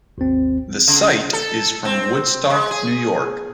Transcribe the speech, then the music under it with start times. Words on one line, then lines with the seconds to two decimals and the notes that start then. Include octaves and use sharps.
The site is from Woodstock, New York.
0.18 G#1 D#2 C4
0.88 C#3
1.33 A4
1.85 C4
2.50 G#3
2.71 G#4